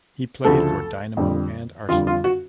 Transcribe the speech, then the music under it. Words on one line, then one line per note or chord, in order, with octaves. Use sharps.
He played for Dynamo and Arsenal.
D2 C#3 F3 A3 A4
F2 D3 G3
F2 D3 G3 F4
F4
F#4